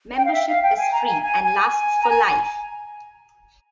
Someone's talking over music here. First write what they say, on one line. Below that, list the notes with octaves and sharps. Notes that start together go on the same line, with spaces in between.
Membership is free and lasts for life.
G5
F5
E5
F5
G5
G#5
A#5
G#5
G#5
G#5
G#5
A#5
G#5